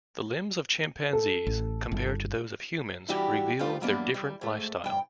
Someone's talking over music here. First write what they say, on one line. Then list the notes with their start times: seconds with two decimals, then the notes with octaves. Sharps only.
The limbs of chimpanzees, compared to those of humans, reveal their different lifestyle.
1.13 A4
1.47 A1
1.92 G1
3.08 E3 G3 D4 E4 F#4 G4
3.59 D2 D#3 G3 A3 F4 B4
3.81 E3 F#3 G3 A#3 B3 D4
4.14 G3
4.41 G#2 A3
4.84 G2 G5